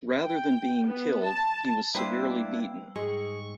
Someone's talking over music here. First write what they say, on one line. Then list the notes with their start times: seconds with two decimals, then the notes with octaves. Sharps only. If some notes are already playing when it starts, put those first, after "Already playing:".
Rather than being killed, he was severely beaten.
0.22 G5
0.86 B3
1.23 A5
1.95 G3 A#3 D4 E4 B4 C5 G5 E6
2.96 G#2 G#3 G#4 C#6